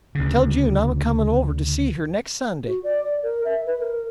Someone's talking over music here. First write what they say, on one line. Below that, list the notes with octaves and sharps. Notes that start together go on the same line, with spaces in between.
"Tell June I'm a-comin' over to see her next Sunday."
D2 C#3
F#4
D5
D5
A#4
E5
B4
A#4